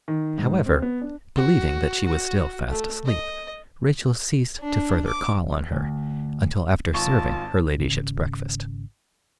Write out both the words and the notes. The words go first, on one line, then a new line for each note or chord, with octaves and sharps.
However, believing that she was still fast asleep, Rachel ceased to further call on her until after serving her ladyship's breakfast.
D#3
G#2
C4
B3
D4
F#4
F#4
A3
D#5
D4
D6
D2
G#1 F4 A5 C#6
G#1 C#3